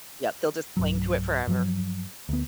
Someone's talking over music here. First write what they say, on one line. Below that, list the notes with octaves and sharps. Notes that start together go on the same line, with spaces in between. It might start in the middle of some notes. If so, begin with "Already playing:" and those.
Yep, they'll just cling to it forever.
B1 G2 F#3
G2 F3 F#3
D2 B3